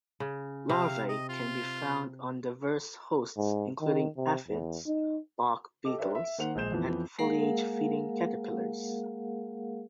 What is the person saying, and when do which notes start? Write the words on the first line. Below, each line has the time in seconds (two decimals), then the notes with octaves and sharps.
Larvae can be found on diverse hosts, including aphids, bark beetles, and foliage-feeding caterpillars.
0.20 C#3
0.69 C3 F5
1.09 D#5
1.29 F4
3.37 G#2
3.81 D#3
4.17 C3
4.48 E2
4.87 D#4
5.85 G4 A4 D#5 D6
5.99 D4 G4 A#4 B4 C#5 E5
6.15 E5
6.38 D#3 A#3 C5 F#5 F7
6.55 A#1 G#3 C5 G6 E7
6.72 F2 E3 F3 B3
7.18 G#3 A#3 G#4 A#4 F5 F#5